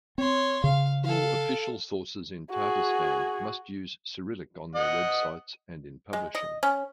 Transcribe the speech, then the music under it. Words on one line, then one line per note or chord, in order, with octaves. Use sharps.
All official sources in Tatarstan must use Cyrillic on their websites and in publishing.
C4 C#5 C6
C#3 F5
A4 F5
F#4 G#4
D#5 F#5
G#3
D#5
C#4